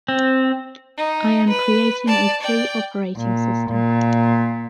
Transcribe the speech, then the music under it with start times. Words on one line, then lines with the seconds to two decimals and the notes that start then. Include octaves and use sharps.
I am creating a free operating system.
0.08 C4
0.97 D#4
1.49 B4
2.07 D5 A5
2.41 D5 G5
3.17 A#2
3.70 A#2